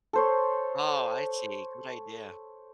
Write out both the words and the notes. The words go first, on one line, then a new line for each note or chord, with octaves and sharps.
Oh, I see, good idea.
A4 C5 C#5